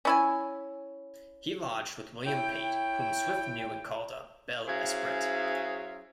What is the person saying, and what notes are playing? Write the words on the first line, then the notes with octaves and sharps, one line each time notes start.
He lodged with William Pate, whom Swift knew and called a "bel esprit".
C#4 E4 G#5
E4 C#5 G5
F#3 C#4 E4 G#4 C5 F5